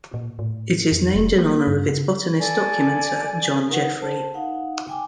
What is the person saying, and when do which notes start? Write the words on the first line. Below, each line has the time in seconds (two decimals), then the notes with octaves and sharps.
It is named in honor of its botanist documenter John Jeffrey.
0.14 A#2
0.39 A2
0.92 F2
1.15 F1
1.38 A#3
1.67 G2
1.89 C#3
2.39 A4 D5 G#5
3.68 D#4 A#4 B4 F#5
3.98 A#4 C5 A5
4.34 D#4 F5 F#5
4.88 G5 G#5 D6